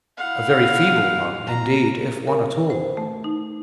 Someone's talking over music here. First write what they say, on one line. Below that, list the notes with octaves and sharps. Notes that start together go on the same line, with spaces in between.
A very feeble one, indeed, if one at all.
E4 F5 F#5
A#5
A#4
C5
A3
D#4